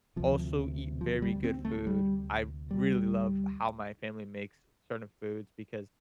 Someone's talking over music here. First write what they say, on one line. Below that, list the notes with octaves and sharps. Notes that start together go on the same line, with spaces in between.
also eat very good food. I really love how my family makes certain foods because
D2 C3 F3
F3
G3
C4
A3
G3
G3